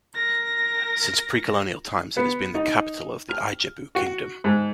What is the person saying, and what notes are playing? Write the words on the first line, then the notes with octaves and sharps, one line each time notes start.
Since pre-colonial times it has been the capital of the Ijebu kingdom.
A#4 A#6
B3
D#4
F6
F#4
G#2